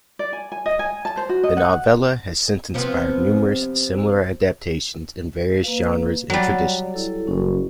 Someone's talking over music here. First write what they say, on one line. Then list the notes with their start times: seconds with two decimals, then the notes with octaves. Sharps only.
The novella has since inspired numerous similar adaptions in various genres and traditions.
0.19 D5
0.33 G#5
0.52 G#5
0.66 D#5
0.79 G#5
1.05 A5
1.17 C5
1.29 F#4
1.43 D#5
1.57 F#5
2.74 C3 F3 B3
5.63 A#3 B4 F5
6.30 F#3 G3 D5
6.94 E4 A4
7.27 F#1 C#4